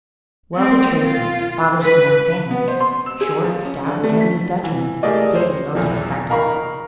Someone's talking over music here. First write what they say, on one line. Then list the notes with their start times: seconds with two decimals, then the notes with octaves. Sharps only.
Wealthy tradesmen, fathers of young families, short, stout, and heavy as Dutchmen, staid and most respectable.
0.55 C4
1.03 F4
1.82 B4
2.51 B3
2.68 C5
2.80 C6
3.06 E6
3.21 G#4
3.44 F3
3.65 C#4
3.87 D3
4.04 A3
4.20 B6
4.64 E3
5.03 A3 G4 G#4 A#4 D5 D#5
5.35 C5 C#5
5.75 B1 E2 F3
6.29 D#4 A#4 F5 A#5 B5 C#6